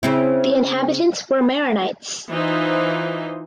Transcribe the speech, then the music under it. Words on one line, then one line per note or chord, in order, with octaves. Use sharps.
The inhabitants were Maronites.
C#3 C4 E4
E3 D#4 F4 C5